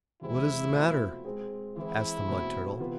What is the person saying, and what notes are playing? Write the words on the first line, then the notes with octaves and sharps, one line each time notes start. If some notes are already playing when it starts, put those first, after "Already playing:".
"What is the matter?" asked the Mud Turtle.
E2 C3 G#3 C4 E4
B2 A3 C4 F4
G#3 C4 G#4
E3 G#3 C4 E4 G#4
B2 A3 C4
C3 E3 B3 F4 B4